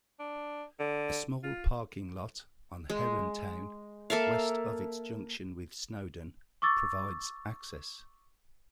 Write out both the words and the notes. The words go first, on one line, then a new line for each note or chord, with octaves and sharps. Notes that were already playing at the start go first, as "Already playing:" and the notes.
A small parking lot on Herrontown, west of its junction with Snowden, provides access.
D4
D3
F4
G#3
A#3 A4 E5 F5
C#6 D6 E6 A6